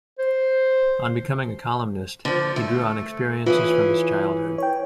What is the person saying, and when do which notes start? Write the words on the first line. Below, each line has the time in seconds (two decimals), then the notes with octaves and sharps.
On becoming a columnist, he drew on experiences from his childhood.
0.19 C5
2.25 D3 F3
2.56 A3
3.46 E3 C#4 F4 G#4
4.58 C#5 G5